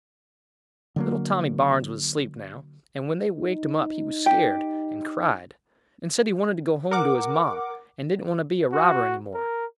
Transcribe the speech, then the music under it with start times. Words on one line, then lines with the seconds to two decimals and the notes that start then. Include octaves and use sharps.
Little Tommy Barnes was asleep now, and when they waked him up he was scared, and cried, and said he wanted to go home to his ma, and didn't want to be a robber any more.
0.96 D3 F#3 A#3
3.34 D#4
4.26 G4 G5
6.91 A#4 F#5 D6
8.73 F#4
9.34 A#4